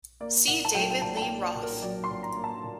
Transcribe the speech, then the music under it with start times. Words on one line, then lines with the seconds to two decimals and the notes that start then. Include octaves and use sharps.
See David Lee Roth.
0.20 A#3 D5
0.48 A#2 F#5
0.65 A5
0.74 F#3 G5
0.91 G5
1.02 A#2 A5
1.17 A5
1.22 G5
1.29 A#3
1.42 D5
1.55 A#2
1.63 A#4
1.82 F#3 D5
2.04 C6
2.10 A#2
2.23 A#5
2.36 A#3
2.44 A5
2.64 A#2